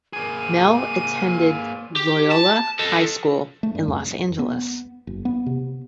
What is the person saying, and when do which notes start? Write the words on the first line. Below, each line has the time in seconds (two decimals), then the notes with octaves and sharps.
Mehl attended Loyola High School in Los Angeles.
0.13 A#3 G#4 D#7
1.97 G4
2.31 A5
2.79 A4 D#5
3.63 A3
3.75 G2
3.88 F2
4.39 B3
5.07 F#1
5.25 B3
5.46 C3